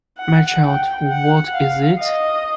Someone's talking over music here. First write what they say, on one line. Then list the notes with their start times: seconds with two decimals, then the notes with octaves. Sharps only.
My child, what is it?
0.18 F#5
0.64 G5
1.09 F#5
1.54 F5
1.99 D#5